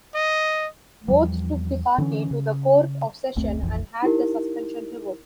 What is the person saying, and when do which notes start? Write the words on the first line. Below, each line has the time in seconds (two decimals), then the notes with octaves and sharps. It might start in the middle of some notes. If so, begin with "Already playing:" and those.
Both took the party to the Court of Session and had the suspension revoked.
0.15 D#5
1.08 E2 F3 G3
1.98 D3 E3 C4 C#4
2.31 C#3
3.36 F#1 D2 A3 C4
3.63 F1 A#1 F2 E3
4.02 D#4 E4 G4 A#4